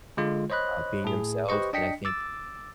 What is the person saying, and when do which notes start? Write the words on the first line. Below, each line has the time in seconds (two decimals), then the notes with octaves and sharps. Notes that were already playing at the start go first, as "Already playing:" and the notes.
uh, being themselves, and I think
0.17 D3 G#3 F4
0.50 C5 C#5 D#5 B5 F#6
1.04 A2 G#4
1.49 G4 B4 C5 D#5 C#6
1.73 D4 D#5 G5 B6 C#7
2.05 D6 E6 A6